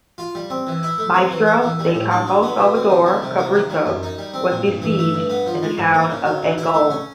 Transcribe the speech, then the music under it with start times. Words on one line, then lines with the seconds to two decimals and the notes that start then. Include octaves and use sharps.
Maestre de campo Salvador Cabrito was besieged in the town of Angol.
0.18 F4
0.35 G3
0.50 C4
0.67 E3
0.83 E4
0.98 A3
1.14 C4
1.31 E3
1.46 A#3
1.62 E3
1.79 G3
1.95 A2
2.11 D4
2.27 F#3
2.43 B3
2.58 B2
2.75 C4
2.90 D#3
3.06 G3
3.22 C3
3.38 A#3
3.54 D#3
3.70 G3
3.86 F#2
4.03 D#4
4.18 G3
4.34 C4
4.51 A#2
4.66 G2
4.82 E3
4.99 A3
5.14 G2
5.30 B3
5.46 F3
5.63 G#3
5.78 G#2
5.94 A#3
6.10 C#3
6.26 F#3
6.43 E2
6.58 E4
6.74 A3
6.90 C#4